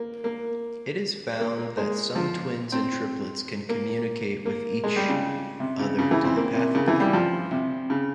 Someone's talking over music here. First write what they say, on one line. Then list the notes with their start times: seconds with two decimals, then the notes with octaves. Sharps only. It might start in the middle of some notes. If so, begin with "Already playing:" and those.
It is found that some twins and triplets can communicate with each other telepathically.
Already playing: A#3
0.24 A#3
1.39 A#3
1.58 A#3
1.77 G#3
2.15 F3
2.72 C4
3.69 A#3
4.45 A#3
4.84 G#3
4.96 G3
5.09 C#3
5.60 C3
5.79 C#3
5.98 C#3
6.11 E3
6.24 C4
6.36 A#3
6.56 C3
6.75 C#3
6.88 E3
7.00 G3
7.13 F3
7.51 C3
7.90 C#3